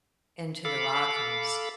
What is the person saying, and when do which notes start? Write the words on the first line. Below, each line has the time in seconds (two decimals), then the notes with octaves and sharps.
into the Rockies,
0.65 A4 F5 B5 D6